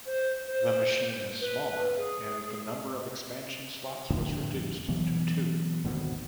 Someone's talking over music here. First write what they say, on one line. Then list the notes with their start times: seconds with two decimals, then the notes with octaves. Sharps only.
The machine is smaller and the number of expansion slots was reduced to two.
0.05 C5
0.46 C5
1.40 B4
1.96 G#4
4.10 F2 A2 D3 F3
4.88 B2 E3 F#3 B3
5.84 G#1 D2 B2 D#3